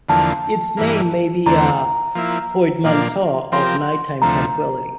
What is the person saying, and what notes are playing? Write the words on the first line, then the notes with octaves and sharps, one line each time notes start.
Its name may be a portmanteau of "nighttime tranquility".
E2 D3 F3 A#3 A5
G2 E3 A#3
E2 D3 A3 C4 A#5
F3 A#3 E4
A#2 F3 A#3 D4
F3 C4 G4 A#4 C6
D2 C3 F3 A3 A#5